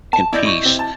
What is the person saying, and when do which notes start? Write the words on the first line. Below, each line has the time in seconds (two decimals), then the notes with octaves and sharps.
and peace.
0.13 A5
0.33 E1 E4 D5 D#5 G6
0.46 C#6 E7
0.63 C3 C4
0.79 A5